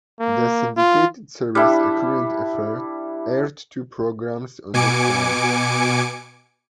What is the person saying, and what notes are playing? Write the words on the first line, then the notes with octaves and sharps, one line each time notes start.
The syndicated series "A Current Affair" aired two programs on the crimes.
A#3
F4
G3 D4 E4
B2 G#5 D6 C#7 D7